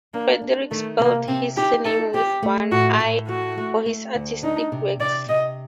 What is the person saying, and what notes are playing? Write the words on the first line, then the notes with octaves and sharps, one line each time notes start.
Frederick spelt his surname with one "l" for his artistic works.
A#3 D4
D4
D#3 A3
C3 A#3
C3 C4
D#4 G4
D#4 A4
C4 G4
A3
A2 F#4
A2
A3 F#4
A3
A3
D2
D4 D#4
C3
C3 D5
C3 D#5